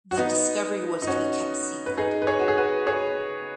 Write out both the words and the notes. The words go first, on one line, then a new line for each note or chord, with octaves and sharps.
The discovery was to be kept secret.
F#4
B3 D#4
D#4
C#4 F#4
B4
D#4 G#4
B4
G#4 C#5
F#4
G#4
F#4 B4
G#4 C#5